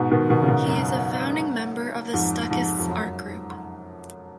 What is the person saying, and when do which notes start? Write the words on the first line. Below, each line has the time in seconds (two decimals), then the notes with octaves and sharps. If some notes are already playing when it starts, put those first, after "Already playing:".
He is a founding member of the Stuckists art group.
Already playing: G#2 B2
0.11 B2 D#3
0.29 B2 D#3
0.42 C#3
0.48 G#2 B2
0.67 F#2
2.13 F2 G#2
2.51 F2 G#2
2.79 F2
2.88 F#2